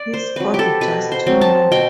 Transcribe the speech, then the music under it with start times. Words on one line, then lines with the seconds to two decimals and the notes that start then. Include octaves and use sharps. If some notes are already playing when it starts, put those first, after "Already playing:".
He scored just two more.
Already playing: D5
0.14 C5
0.36 F#3 C4 B4
0.54 G4
0.59 A4
0.81 B2 B4
1.12 C5
1.27 F#3 C4
1.41 A5
1.72 B2 G5